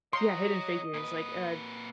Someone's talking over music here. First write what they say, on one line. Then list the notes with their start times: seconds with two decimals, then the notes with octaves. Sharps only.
Yeah, Hidden Figures, like, uh,
0.13 C#5 D#5 A#5 C6
0.94 A#2 B4